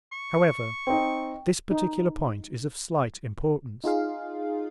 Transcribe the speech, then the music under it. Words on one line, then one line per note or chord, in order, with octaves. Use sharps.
However, this particular point is of slight Importance.
C#6
C4 D#4 G5
D#4
D#4 F4 G#4 F5